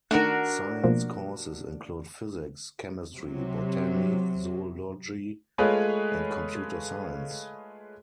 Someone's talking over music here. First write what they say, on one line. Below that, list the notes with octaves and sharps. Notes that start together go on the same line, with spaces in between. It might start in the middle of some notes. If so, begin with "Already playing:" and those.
Science courses include physics, chemistry, botany, zoology and computer science.
D#3 A3 D4 F#4 A#4
B2 F3 A#3
C3 F#3
G#3 A3 F4 G#4 B4 C#5